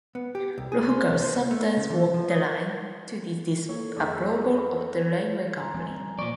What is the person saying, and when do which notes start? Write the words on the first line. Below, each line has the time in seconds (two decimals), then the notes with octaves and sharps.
Locals sometimes walk the line, to the disapproval of the railway company.
0.15 B3
0.35 G4
0.58 C2
0.72 G#4
0.90 C5
1.09 C2
1.22 C5
1.51 A3
1.77 C#3
1.90 E3
2.14 F3
2.31 D#5
3.69 A#3 A4 C#5
3.96 F2 D#3 G#4 D5 E5
5.58 G#5 A#5 C6
5.74 F3 G3 C4
6.19 A#2 F3 D5 C#6